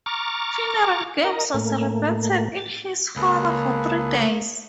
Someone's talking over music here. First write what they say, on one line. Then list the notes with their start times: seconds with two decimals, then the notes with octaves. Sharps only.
Funeral games were celebrated in his honor for three days.
0.06 A#5 C#6 D6 F6 A6
1.24 A#4 D#5 A#5
1.54 A2 A3 A#3
2.57 A6
3.16 C#2 A#3 G#4 A4 B4